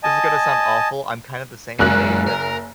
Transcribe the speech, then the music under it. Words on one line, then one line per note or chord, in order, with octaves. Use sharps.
this is gonna sound awful. I'm kinda the same way, but
D#5 G#5 A5
F#1 F#2 G#3 A#4 F#6
A#4